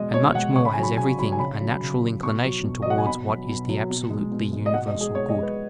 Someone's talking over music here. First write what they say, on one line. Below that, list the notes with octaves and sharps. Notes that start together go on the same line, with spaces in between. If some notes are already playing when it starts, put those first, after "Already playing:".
And much more has everything a natural inclination towards what is the absolutely universal good.
Already playing: B2 G#3 D#5
B2 C#5
G#3 F#5
C#3 C#6
B5
G#5
F#3
B5
C#3 G#5
F#3 B5
G#5
C#3 B5
F#3
C#3
F#3
B2 C#6
F#3
B2
D#5
F#3 F#5
G#5
B2 B5
F#3
B2
F#3
B2
G#3
B2
G#3
D#5
B2 F#5
D#5
G#3
G#4
B2 C#5
D#5
G#3
B4